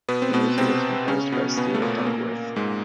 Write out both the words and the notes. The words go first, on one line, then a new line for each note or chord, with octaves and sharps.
The music is composed by Steve Duckworth.
B2 B3
C4
B2 B3
C3 C4
C#3 C#4
B2 B3
B2 B3
A3
A#2 A#3
B3
A#2 A#3
G#2 G#3